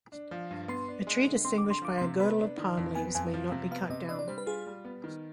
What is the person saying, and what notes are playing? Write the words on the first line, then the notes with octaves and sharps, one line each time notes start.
A tree distinguished by a girdle of palm-leaves may not be cut down.
D4
F3
G2
B3 C6
D4
G#3
D3
C4 C6
D6
D3
C6
F3 D6
C6
C3
B3 B5
D4
D#3
F2
B3 G#5
F2 G#5
F3
C3
B3 F5
C3 D#5
D4 D#5
D5
G3 C5
B4
F4 G#4
G3
B3
D#3